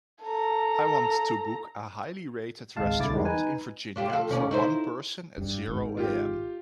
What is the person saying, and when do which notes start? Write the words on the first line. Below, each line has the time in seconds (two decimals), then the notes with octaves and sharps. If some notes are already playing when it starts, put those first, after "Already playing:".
I want to book a highly rated restaurant in Virginia for one person at zero am.
0.24 A4 A#5
2.77 G#1 C#2 G#3 F5 A5
2.99 C2 D3 E4 D6 A6
3.13 E2 D#3 E3 G3 G#3
3.25 D#4 B4 G#5
3.96 D4 F4 G4
4.10 F4 A4
4.29 D#2 C#4 D5
4.51 D#4 E4 C5
5.38 G2
5.68 G#1 G#2
5.97 F4 G4